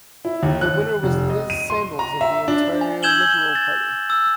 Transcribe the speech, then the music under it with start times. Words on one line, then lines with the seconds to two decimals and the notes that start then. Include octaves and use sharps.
The winner was Liz Sandals of the Ontario Liberal Party.
0.25 E4
0.43 D#2
0.61 F#6
1.03 F1
1.30 D#5
1.50 D#7
1.70 C6
1.99 A#5
2.21 E5
2.48 D4
2.81 G#5
3.03 E6 G6 G#6 E7 F#7 G7
3.55 A6
4.10 E6